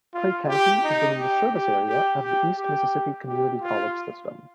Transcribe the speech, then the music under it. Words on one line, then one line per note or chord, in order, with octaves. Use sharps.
Clay County is within the service area of the East Mississippi Community College system.
F4
G4
D#4
G4
G4
G4
G4
G4
G4
F4